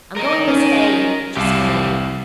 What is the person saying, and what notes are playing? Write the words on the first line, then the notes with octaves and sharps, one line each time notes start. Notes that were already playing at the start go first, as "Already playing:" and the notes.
"I'm going to stay!" she screamed.
A#4 D#5
C#4 D#4
C2 G4 F5 A5